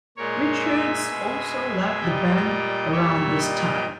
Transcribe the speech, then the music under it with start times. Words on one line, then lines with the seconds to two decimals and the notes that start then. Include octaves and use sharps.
Richards also left the band around this time.
0.17 A#2 G#3 A#4 C#5
0.64 E5 G#5
1.08 B2 G#3
2.00 A#2 G3 D#5 G5
2.92 A#2 G3 C#5 E5
3.37 D#5 G5